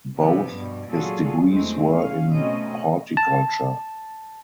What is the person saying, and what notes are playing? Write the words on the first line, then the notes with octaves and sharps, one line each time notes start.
Both his degrees were in horticulture.
C3 F3 B3
G2 B2
A#2 F#3 F4 F#4 G#4 A4
E2 F#3 G#3 A3 C4
E2 C#4 F5
B2 A3 C4 C#4 D#5
A5